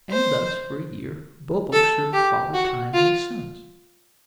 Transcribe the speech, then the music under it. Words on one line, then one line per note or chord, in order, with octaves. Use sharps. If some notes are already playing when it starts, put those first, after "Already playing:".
And thus for a year Bobo served Father Time and his sons.
C5
A4
G4
F#4
F4